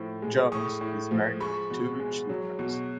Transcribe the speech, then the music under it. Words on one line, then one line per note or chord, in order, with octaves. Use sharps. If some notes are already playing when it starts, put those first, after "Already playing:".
Jones is married with two children.
Already playing: A2 F3
G#3
A2 C#6 D#6
A2
F3
G#3 B5 C#6
B2
G#3
F#3
B2